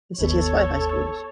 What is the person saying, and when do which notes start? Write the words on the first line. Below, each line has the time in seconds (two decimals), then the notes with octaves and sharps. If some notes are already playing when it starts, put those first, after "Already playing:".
The city has five high schools.
0.19 G1 D#2 B3 A4 C#5